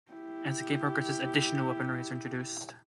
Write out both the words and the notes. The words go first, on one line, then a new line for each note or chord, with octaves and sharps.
As the game progresses, additional weaponry is introduced.
E4 G4